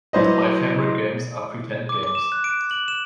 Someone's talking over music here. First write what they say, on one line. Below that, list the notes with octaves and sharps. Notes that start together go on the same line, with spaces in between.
My favorite games are pretend games.
F#3 E4 B4 C5 D5 D#5
D6
D6
E7
F#6
D7
F#7
E7